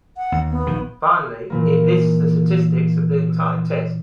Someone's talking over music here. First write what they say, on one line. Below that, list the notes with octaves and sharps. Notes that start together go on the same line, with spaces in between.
Finally, it lists the statistics of the entire test.
F#5
D#2
B3
A#1 D#3
A#2 E3 A#3